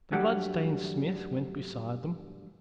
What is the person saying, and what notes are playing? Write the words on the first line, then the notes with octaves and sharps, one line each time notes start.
The bloodstained smith went beside them.
G2 F#3 G3 A3